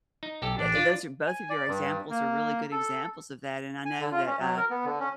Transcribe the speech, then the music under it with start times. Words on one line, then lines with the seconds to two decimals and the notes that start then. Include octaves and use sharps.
ye those are both of your examples are really good examples of that and I know that, uh,
0.23 D#4
0.42 B1 G4 A4
0.59 A1 D4
0.75 F4 D5
1.27 G#5
1.50 D5
1.68 G2
2.10 A#3
2.72 A4
3.85 G#5
4.00 D3
4.12 F4
4.26 C#4
4.40 F#3
4.57 A#4
4.70 B3
4.85 D3
5.00 C#4